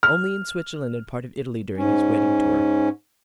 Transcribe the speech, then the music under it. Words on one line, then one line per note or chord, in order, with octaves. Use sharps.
"Only in Switzerland, and part of Italy, during his wedding tour."
F6
G#2 C#4